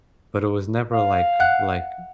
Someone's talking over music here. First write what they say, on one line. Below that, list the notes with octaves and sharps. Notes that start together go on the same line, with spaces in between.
but it was never, like uh, like,
F5
E5 F#5 F#6